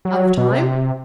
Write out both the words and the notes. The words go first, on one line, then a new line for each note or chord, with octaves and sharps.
Out of time?'
F#3
B2
C3